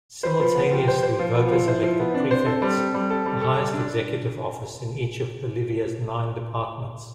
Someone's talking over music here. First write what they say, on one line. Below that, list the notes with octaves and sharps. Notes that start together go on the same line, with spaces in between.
Simultaneously voters elected prefects, the highest executive office in each of Bolivia's nine departments.
B4 C5
F3
B3
F3 G4
C5
C5
F3 F4
B3
F3
E4 C5
F3
B3
C4 D4
C5
A4
G3
A4
G3
A4
G3
A4
G3
D4